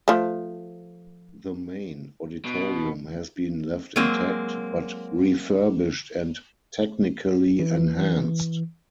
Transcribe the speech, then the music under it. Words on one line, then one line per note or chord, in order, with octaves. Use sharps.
The main auditorium has been left intact, but refurbished and technically enhanced.
F3 A3
B2
F#3 G#3 A#3 C4
E3